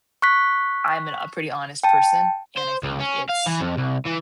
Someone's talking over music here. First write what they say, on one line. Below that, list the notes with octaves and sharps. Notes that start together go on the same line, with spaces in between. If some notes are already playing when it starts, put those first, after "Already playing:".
I'm an a pretty honest person, and I think it's
C#6 F#6 B6
G5 A5
C5
C#2
C#4
F5
E3
F2
C2
E3